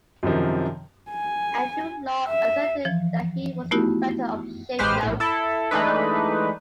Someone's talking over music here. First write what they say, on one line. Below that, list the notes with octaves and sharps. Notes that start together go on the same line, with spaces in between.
Andrew Law asserted that he was the inventor of shape notes.
F#2 C3 D#3 F3
G#5
E5
E3 F3
A3 B3 D#4 E4 F#4 G4
A1 G#3 G4 B4 C5 F6
A#1 A2
E4 A4
E3 G#3 A3 D4 D#4 B4